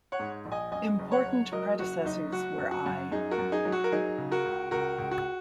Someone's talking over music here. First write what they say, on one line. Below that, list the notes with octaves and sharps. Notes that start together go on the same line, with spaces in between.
Important predecessors were I.
C#5 F#5
G#2
A#1
D#5 G#5
F#2 D#5 G#5
F#1
C#5 F#5
F#1
F#3 A#4 D#5
F#1 F#4
F#1 D#4
F#3 F#4
F#2
F#4
F#2
F#2 D#4 G#4
F#4 A#4
F#2
D#4 G#4
F#3
F#4
A#4
F#3 D#4 G#4
C#3
F#4 A#4
C#2
C#2 F#4 A#4
C#2
F#4